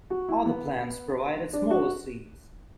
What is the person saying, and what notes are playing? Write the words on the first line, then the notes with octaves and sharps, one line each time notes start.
Other plants provided smaller seeds.
F#4
E4
B3
D4
F#4